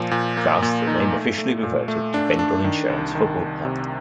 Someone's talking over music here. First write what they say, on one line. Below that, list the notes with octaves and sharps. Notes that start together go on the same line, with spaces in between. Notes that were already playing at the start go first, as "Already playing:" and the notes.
Thus the name officially reverted to Bendel Insurance Football Club.
Already playing: A#2 F3
A#2
A#3
A#2
D#4
A3
A3
A#2
A3
D4
D4
D#3
C2
D#3
C2
C3